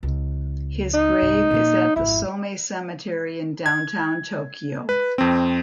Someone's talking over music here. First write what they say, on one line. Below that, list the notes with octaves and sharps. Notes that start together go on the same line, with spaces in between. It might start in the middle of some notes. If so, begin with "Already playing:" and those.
His grave is at the Somei Cemetery in downtown Tokyo.
C#2
D#4
C2 G#2
A#2 A#3
G#1 F2 E4
G#6
B4
F2 C4